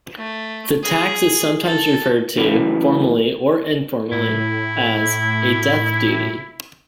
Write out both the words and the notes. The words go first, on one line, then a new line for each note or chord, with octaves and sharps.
The tax is sometimes referred to, formally or informally, as a "death duty".
A3
G#4
A4
A2 C#3 E3 F#3
A2 E4